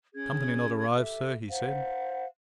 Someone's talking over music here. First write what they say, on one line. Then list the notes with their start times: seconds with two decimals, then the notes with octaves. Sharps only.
"Company not arrived, sir," he said.
0.15 C#4 G#4 G#6
0.95 G4 A4 E5
1.50 C5 F5 F#5